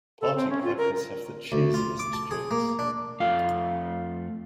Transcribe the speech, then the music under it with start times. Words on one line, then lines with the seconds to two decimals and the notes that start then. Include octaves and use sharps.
Party Crackers have the cheesiest jokes.
0.21 A4
0.36 C4
0.50 C#4
0.64 F4
0.78 A#4
1.52 D2
1.74 F4
1.99 D6
2.13 A5
2.31 G#4
2.51 A#3
2.79 D4
3.20 F2 A3 F4 F5